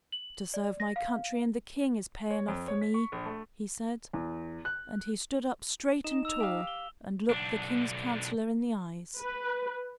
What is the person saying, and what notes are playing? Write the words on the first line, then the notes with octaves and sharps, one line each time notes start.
"To serve my country and the king is pay enough for me," he said; and he stood up straight and tall and looked the king's counselor in the eyes.
F#7
D5
A#6
F5
C#5
F2
C#5
B6
C#6
A#1
A3
E2
F#6
D#4 E7
E6 F7
G4 F5
G7
B1 D4
B4